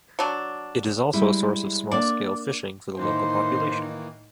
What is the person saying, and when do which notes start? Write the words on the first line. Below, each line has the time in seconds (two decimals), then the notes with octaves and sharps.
It is also a source of small-scale fishing for the local population.
0.19 F#3 D4
1.13 G3 G#3 E4
1.91 A#3 D4 D5
2.98 A2 D#3 E3 A#3 D#4 C5